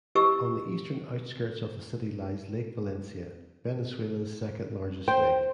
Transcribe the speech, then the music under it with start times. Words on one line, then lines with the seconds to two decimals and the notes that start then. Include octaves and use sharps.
On the eastern outskirts of the city lies Lake Valencia, Venezuela's second-largest lake.
0.15 E4 G4 B4 D#5 C#6 E6
5.08 C5 G5